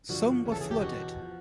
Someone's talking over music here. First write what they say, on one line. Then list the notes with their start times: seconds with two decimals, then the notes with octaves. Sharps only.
Some were flooded.
0.09 G2 D3 F3 F#4
0.45 E2 C#3 E3
0.52 A4
0.61 G#4
0.71 G4
0.81 E2 B2 F#4
1.18 F3